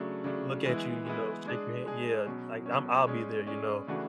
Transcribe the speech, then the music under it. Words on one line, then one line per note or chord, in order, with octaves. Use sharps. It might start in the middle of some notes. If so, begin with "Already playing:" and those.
look at you, you know, shake your hand Yeah, like, I'm I'll be there, you know,
Already playing: C#3 F#3 A3 D4
C#3 F#3 A3 D4
E3 G#3 B3 E4
E3 G#3 B3 E4
G#3 D4 G#4
G#3 D4 G#4
B2 F#3 C#4
B2 F#3 C#4
G#3 C#4 G#4 D5
G#3 C#4 G#4 D5
C#3 E3 A3 D4 F#4